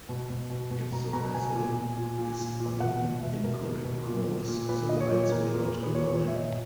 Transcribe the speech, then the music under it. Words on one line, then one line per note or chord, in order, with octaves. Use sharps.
If the vessel is on an incorrect course, the lights will not align.
B2
B2
B2
B2
B2 A#5
B2 A#5
B2 G#5
A#2
A#2
A#2
A#2
A#2
A#2
B2 F#5
B2
B2 E5
B2 A#4
B2
B2
A#2
A#2
A#2
A#2 B4
A#2 D#5
C#5
A#2
A#2 A#4
A#2
B4
A#2
B4
A#2 C#5
A#2 C#5
E5
A#2 D#5